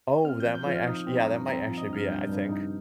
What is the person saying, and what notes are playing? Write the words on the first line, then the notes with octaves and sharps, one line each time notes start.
Oh, that might act yeah, that might actually be it, I think.
C4 F6
F3 G6
G6
F3
F6
D#4 D#6
C4
A#5
G2
C4 A#5
F3
D#5
G2 F6
G2 G6
G2
D#4